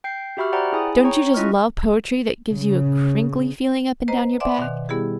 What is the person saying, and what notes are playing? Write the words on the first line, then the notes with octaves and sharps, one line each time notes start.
Don't you just love poetry that gives you a crinkly feeling up and down your back?
G5 G6 C7
F#4 G4 E5 B5 C#6 F6
C5 D5 F#5 G5 A#5 B5
E4 G#4 G#5 B5 D#6
C#5 G5 A#5 C#6
C#4 E4 F4 D#5 C#6 F6
C#3
B4 C5 D#5 A#5
D5 E5 F#5 G#5 C6 D6
B2 D#3
G3 B3 E4 G4 G#4